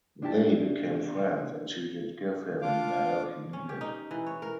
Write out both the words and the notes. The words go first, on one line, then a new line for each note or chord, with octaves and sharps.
They became friends and she did give him the help he needed.
D4 E4 G4 A5
D4 F4 F5 D6
C#4
G4
D#4
E3
C#5
A#4